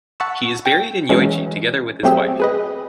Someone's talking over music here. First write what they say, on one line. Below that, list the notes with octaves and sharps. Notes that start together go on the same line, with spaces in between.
He is buried in Yoichi together with his wife.
F#5 A5 B5 C#6 E6
G5
E3 F#3 G#3 C#4
F#3 A3 C4 G4 G#4 E5
G#4 B4 D#5